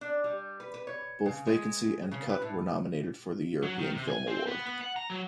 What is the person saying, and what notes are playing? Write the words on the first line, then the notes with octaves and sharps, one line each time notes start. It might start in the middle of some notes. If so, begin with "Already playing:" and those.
Both Vacancy and Cut were nominated for the European Film Award.
D4
G3
B4
B4
C#5
C#3
G#3
C#3
B4
A2
F#3
D#3
C3
G#5
C4
B3
B3
F#5
A#5
F#3